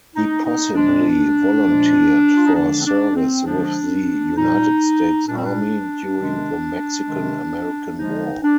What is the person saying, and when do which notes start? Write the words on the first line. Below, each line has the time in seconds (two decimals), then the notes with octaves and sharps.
He possibly volunteered for service with the United States Army during the Mexican-American War.
0.15 D#4
0.45 D#4
0.75 A#2 F3 G#3 D4
1.65 A#2 F3 G#3
2.35 F4
2.46 D#4
2.55 D3 F3 G#3 D4
2.80 C4
2.86 D4
3.16 C4
3.46 D3 F3 G#3 D4
4.36 A#2 G3 D#4
5.26 A#2 G3 D4
5.36 C4
5.44 D4
6.17 C3 D#3 G#3
7.07 C3 D#3 G#3
7.97 D3 F3 G#3 D#4
8.43 D4